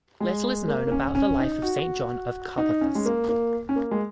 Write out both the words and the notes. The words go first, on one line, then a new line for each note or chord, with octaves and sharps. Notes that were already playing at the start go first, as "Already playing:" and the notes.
Little is known about the life of Saint John of Karpathos.
G#3
A#3
A#3
C#4
C#4
D#4
F#4
D#4
C#4
G#3
A#3
A#3
C#4
A#3
G#3